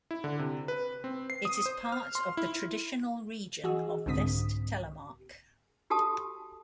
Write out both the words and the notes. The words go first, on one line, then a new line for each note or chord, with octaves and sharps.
It is part of the traditional region of Vest-Telemark.
E4
D3
C3
B4
C4
C7
D#6
C5
F6
C6
E4
E3 F#4 G#4 D#5 E6
C2 G#2 D3 C4 D#6 B6
F#4 G4 A4 A5 D#6